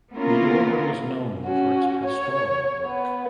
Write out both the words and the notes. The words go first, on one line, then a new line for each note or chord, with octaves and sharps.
The order was known for its pastoral work.
A#3 B3 C#4 E4 F4 A#4
C#4 F#4
C#5
B3